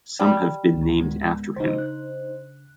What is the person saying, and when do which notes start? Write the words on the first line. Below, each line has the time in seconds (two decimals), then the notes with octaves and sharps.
Some have been named after him.
0.20 G3
0.72 D2 A2
0.99 D#3 G#3 B3
1.56 C#3 D4 D#4 C5
1.78 F#6